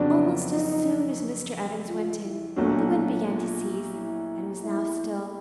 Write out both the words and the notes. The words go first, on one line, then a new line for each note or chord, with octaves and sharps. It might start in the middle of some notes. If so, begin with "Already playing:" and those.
Almost as soon as Mr. Evans went in, the wind began to cease, and was now still.
Already playing: F2 C#3 F#3 B3 D4
D#4
F4
E4
B1 A#2 F#3 A3 D4
F4
E4
E4